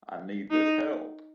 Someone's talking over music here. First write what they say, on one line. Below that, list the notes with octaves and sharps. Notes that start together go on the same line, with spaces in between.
I need this help.
D#4